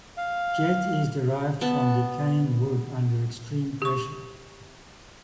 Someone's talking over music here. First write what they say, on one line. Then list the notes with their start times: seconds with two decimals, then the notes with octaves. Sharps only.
Jet is derived from decaying wood under extreme pressure.
0.17 F5
1.61 B3 A5
3.82 G4 C#6